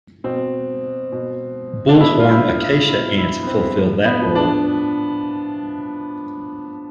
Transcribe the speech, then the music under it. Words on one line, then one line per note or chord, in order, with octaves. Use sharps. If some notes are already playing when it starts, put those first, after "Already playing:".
Bullhorn acacia ants fulfil that role.
B2 C4
B2
D4
B2 E4
F4
E4
F4
B2 E4
E4
B3
C4
A2
B3
F3
D4